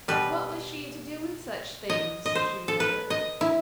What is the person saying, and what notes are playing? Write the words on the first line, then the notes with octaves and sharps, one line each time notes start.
'What was SHE to do with such things?' she roared.
B2 G3 B4
D#5
D#5
C5
A4
B4
D#5
E4